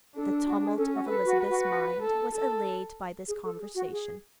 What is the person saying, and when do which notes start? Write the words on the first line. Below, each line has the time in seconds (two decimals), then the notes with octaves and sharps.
The tumult of Elizabeth's mind was allayed by this conversation.
0.16 D4 A4
0.30 A4
0.47 F#4
0.62 G#4
0.77 C#4 A4
0.94 F#4
1.08 A4 B4
1.25 F#4
1.40 B4
1.48 F#4
2.02 A4
2.35 A4
3.27 G#4
3.44 A4
3.59 G#4
3.75 F#4
3.91 G#4